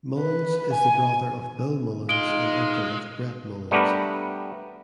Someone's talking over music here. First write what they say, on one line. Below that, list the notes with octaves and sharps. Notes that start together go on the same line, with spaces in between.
Mullins is the brother of Bill Mullins and uncle of Brett Mullins.
B4
G#5
G#3 D#4 F4 D7 G7
G3 A3 B3 D4 G4 A#4